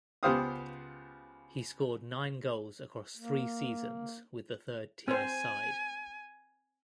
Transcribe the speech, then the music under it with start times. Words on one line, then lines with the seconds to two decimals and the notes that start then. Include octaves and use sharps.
He scored nine goals across three seasons with the third tier side.
0.23 C#2 B3 G4 C5 F5 D#6
3.17 A#3
5.08 C4 C5 G#5